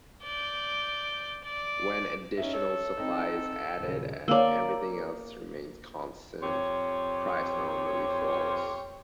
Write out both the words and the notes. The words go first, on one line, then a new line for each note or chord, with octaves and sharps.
When additional supply is added and everything else remains constant, price normally falls.
D5 G6
D5
C#4 D#4 E5
A4 C#5
C4 D#4
D#1 C#3
A#3 C#5 D5 F5 E6
F2 G4 C5 C#5